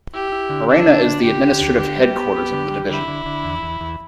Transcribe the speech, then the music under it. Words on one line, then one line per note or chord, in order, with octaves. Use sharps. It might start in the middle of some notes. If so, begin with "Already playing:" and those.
Morena is the administrative headquarters of the division.
E4 G4
E4
D3
D4 E4
D3
D3
D3 G4
D3
D2
D3 G4
G3
B3
B3
D3
G3
D3 E4
D3
D3
E2
E2
E2